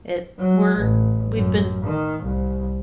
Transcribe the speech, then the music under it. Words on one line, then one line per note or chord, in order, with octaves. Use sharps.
it we're we've been f
F#3
A1
F#2
D#3
C2